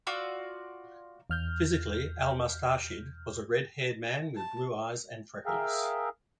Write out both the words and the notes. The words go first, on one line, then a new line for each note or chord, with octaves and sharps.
Physically, Al-Mustarshid was a red-haired man with blue eyes and freckles.
F4 F#4 D5 E6
E2 F6 G6
A5
G#4 A#4 E5 F5 G5